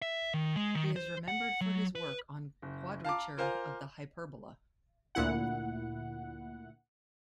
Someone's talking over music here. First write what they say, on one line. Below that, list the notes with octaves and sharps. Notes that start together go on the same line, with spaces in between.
He is remembered for his work on quadrature of the hyperbola.
E5
D#3
G#3
D#3
C5
F#5
F#3
B4
F#1
F5 A5 A#5 D6
F4 A#4 C5 F5 G#5
D2 A#2 E4 F#5